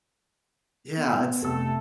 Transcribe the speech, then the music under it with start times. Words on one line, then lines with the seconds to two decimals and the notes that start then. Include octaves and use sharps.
Yeah, it's
0.97 B3
1.42 F1 A3 A4 E6